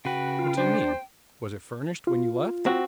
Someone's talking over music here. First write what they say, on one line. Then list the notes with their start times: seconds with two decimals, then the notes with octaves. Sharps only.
'What do you mean?--was it furnished when you left?'
0.05 C#3 F#4 B4 G5
0.39 F4
0.57 D4 C5
2.07 F4
2.66 C4 F#4